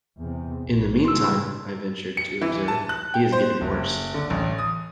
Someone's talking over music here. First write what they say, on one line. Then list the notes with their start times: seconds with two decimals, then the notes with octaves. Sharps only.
"In the meantime," I ventured to observe, "he is getting worse."
0.18 E2 C3
0.65 A#1
1.05 G#2 C#3 C6 E6
2.17 C#7
2.41 E3
2.68 A5
2.89 F#6
3.14 G5
3.32 C5
3.61 F#1
4.14 D3
4.30 A1
4.58 D#6